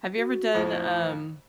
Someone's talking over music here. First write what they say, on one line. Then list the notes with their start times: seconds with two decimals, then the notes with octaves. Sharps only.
Have you ever done, um
0.17 F#4
0.54 F2 A2 C5